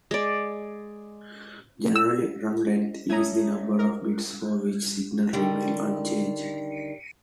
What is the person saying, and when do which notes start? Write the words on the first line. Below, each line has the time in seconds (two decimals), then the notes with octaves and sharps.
Generally "run-length" is the number of bits for which signal remains unchanged.
0.11 G#3 D5
1.96 E6
3.10 A3 C#4 A#5 D#6 G#6
3.79 A#4
5.33 D3 D#3 G3